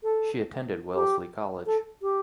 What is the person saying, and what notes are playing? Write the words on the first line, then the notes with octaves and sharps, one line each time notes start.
She attended Wellesley College.
A4
G4
A4
G4